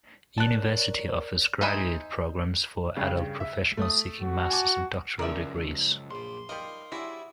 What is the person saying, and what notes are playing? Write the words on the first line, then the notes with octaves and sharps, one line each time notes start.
The university offers graduate programs for adult professionals seeking master's and doctoral degrees.
A#4 C#5 D5 A5 F#6
D#4 C5 E5 G#5 B5
G2 C#3
E5
A3 D#6
F#4
G#5 A5 D6
C#2 F#2 F3 A#4 D5 E5
A#1 A#2 C6
G3 D#4 A#4 D5 D#5 F5
G3 E4 F#4 G#4 C#5 D5 E5